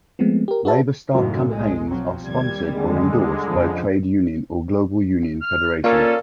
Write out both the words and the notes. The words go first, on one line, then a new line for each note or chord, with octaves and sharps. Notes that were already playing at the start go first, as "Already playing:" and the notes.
LabourStart campaigns are sponsored or endorsed by a trade union or global union federation.
F3 G#3 A3 B3 C4
G4 A#4
F#4 G#4 B4 E5 A5
F#1 B1 F#2 A2 D#3 F#4
B1 G#3 A4
F3 F#3 C4
D#2 G3 G#6
D3 G#3
F2 C#3 F3 B5
F6
A#2 C#4 A4 A#4 D5 F5